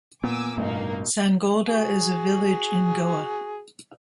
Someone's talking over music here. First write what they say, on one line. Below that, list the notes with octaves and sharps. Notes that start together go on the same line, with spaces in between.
Sangolda is a village in Goa.
A#2 B3 G#5 D6 E6
A1 G2 B2 A#3 D#4
F#4 G#4